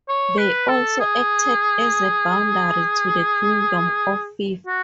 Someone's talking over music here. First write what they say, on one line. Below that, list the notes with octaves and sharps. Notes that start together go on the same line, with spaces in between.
They also acted as a boundary to the Kingdom of Fife.
C#5
B4
A4
G#4
F#4